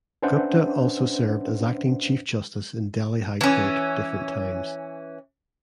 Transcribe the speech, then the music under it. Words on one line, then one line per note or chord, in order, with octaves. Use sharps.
Gupta also served as acting Chief Justice in Delhi High Court different times.
C#4 D4 B4 C5 E5 F#5
E3 C#4